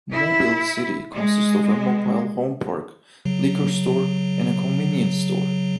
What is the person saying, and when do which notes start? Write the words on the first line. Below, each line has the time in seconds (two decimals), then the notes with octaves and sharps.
Mobile City consists of a mobile home park, liquor store, and convenience store.
0.11 E4
1.14 G#3
3.25 C#3 F#3